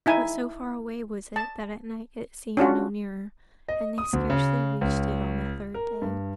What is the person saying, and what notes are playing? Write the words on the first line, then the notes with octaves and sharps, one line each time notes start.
But so far away was it that at night it seemed no nearer, and they scarcely reached it on the third day.
D#4 E4 G#5
A5
C#4 D4 F4 F#4
D#5
D#6
D2
C#3
C#2
A#4
G2